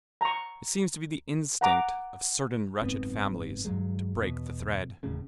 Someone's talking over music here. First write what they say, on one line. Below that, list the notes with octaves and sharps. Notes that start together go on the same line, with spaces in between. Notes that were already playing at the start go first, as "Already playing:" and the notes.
It seems to be the instinct of certain wretched families to break the thread.
A#5 C#6
F#5 A#5 D6
F#1 G#2 B3 C4
G2 D#3 F#3 G#3
E2 B2 B3
E1 D#2 A2 C#3